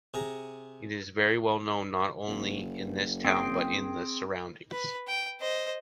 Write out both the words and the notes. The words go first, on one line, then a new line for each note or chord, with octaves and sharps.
It is very well known, not only in this town but in the surroundings.
C3 G#4 A#5
F#1
C4 G#4 G5
B4
G5
C5 D#5